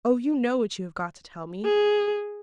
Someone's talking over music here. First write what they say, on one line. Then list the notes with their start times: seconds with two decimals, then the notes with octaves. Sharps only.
Oh, you know what you have got to tell me!
1.65 G#4